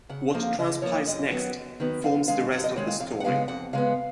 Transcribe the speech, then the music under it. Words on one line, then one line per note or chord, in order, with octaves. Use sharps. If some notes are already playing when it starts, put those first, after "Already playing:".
What transpires next forms the rest of the story.
C#3 F#5
F3 A#3 F5
C#3 D#5
F3 A#3 C#5
F#2 D#5
D#3 F#3 B3 F#5
F#2
D#3 F#3 B3
F#2 F5
D#3 G#3 F5
F#2 F#5
D#5
D#3 G#3 C#5
F5
F2 F5
F#5
C#3 G#3 B3 F5
F2 F#5
C#3 G#3 B3 F5